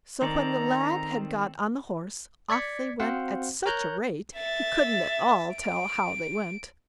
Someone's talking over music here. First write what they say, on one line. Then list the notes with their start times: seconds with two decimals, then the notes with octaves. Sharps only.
So when the lad had got on the horse, off they went at such a rate, he couldn't at all tell how they went.
0.22 D#3 C4 A4 D5 A#5
2.50 D5 G#6 B6 C#7
3.00 C4 F#4 C5 F5 F#5
3.66 A#4 C#5 A#5 F#6 G6
4.36 E5 A6
5.55 D7